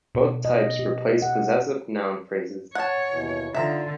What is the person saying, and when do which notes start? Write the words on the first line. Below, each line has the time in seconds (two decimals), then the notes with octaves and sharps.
Both types replace possessive noun phrases.
0.15 B2
0.45 D#5
0.79 G4
1.22 F#5
2.75 C#5 F#5 A5
3.11 D#2 B2 E3
3.55 D3 D#4 F4 E5 A#5